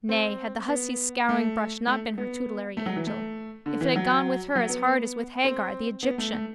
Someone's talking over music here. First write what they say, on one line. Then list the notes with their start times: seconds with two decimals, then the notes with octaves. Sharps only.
Nay, had the hussy's scouringbrush not been her tutelary angel, it had gone with her as hard as with Hagar, the Egyptian!
0.09 C4
0.68 B3
1.29 A3
1.87 A3
2.18 B3
2.77 A3
2.86 F#3
2.96 E3
3.07 A3
3.66 D3
3.81 E3
3.96 F#3
4.56 F#3
4.69 B3
5.44 C4
6.03 B3
6.18 A3
6.33 A3